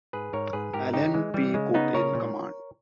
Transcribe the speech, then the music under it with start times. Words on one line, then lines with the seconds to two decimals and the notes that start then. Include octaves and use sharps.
Allen P. Cook in command.
0.13 G#2 G#4 B4
0.33 G#2 A#4 C#5
0.53 G#2 G#4 B4
0.73 G#2 G4 A#4
0.94 C#3 D#4 G4
1.14 E3 G#3
1.34 E3 G3
1.54 C#3 G#3
1.74 C#3 B3 D#4
1.94 C#3 A#4 C#5
2.15 A#2